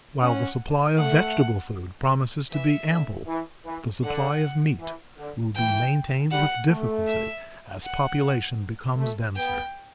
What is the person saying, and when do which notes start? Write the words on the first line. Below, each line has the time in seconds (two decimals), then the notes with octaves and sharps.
While the supply of vegetable food promises to be ample, the supply of meat will be maintained with difficulty as population becomes denser.
0.22 C#4 F#5
0.98 A3 F#5
2.51 E3 E5
2.89 D3
3.27 E3
3.65 E3
4.03 D3 F#5
4.79 E3
5.17 D3
5.55 E3 G5
6.31 G3 F#5
6.69 A3
7.08 E5
7.84 F#5
8.97 A3
9.36 B3 G5